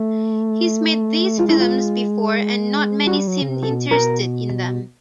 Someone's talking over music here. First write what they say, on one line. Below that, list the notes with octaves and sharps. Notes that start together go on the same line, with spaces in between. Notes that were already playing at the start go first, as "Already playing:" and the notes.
He's made these films before and not many seemed interested in them.
Already playing: A3
G#3 F4
E4
F4
G3 F#4
F#3
C#3
C3
A4
B2
B2 A#4